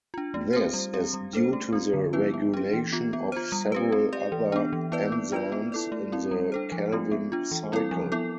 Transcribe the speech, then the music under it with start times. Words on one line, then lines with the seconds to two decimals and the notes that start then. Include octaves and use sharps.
This is due to the regulation of several other enzymes in the Calvin cycle.
0.14 D4 F4
0.34 A3
0.53 C4 G4 C5
0.74 G3
0.94 C4 G4
1.14 G3
1.33 D4 A4 C5
1.53 A3
1.73 C4 F4
1.94 D3
2.13 F3 B3 E4 B4
2.34 B3
2.54 D4 G4
2.73 E3
2.92 B3 F4
3.13 B3
3.32 F4 C5
3.52 G3
3.72 C4 G4 B4
3.92 C4
4.13 G4 D5
4.32 E3
4.52 B3 D4
4.73 E3
4.92 B3 E4 B4 D5
5.12 B3
5.32 D4 F4 B4 D5
5.52 B3
5.72 E4 A4 D5
5.92 A3
6.12 C4 E4
6.31 G3
6.52 D4 A4 C5
6.72 F3
6.92 A3 C4 F4
7.12 B3
7.32 D4 F4
7.52 E3
7.72 G3 C4 E4 A4
7.91 F3
8.12 B3 E4 A4